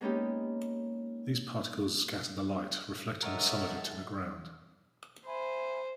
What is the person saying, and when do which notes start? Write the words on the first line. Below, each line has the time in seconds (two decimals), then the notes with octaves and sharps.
These particles scatter the light, reflecting some of it to the ground.
0.01 G#3 A#3 B3 C#4 D#4 G4
3.23 G#2 A4 A#4 C#5 D#5 E5 F#5
5.26 C5 E5 G#5 B5